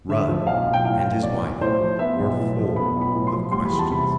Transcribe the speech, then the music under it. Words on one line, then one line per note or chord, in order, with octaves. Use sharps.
Rudd and his wife were full of questions.
D3 E5
F3
B1 F5
B1
G5
A2 F5
F3
B1 D5
B1
A2 C5
F3
B3 E5
B1
A2
F3
B3 B5
B1
B5
A2
C6
F3
G3 C6
B5
E2
A5
C3 B5